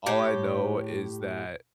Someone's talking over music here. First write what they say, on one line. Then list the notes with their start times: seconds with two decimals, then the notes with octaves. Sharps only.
all I know is that
0.06 A2 G4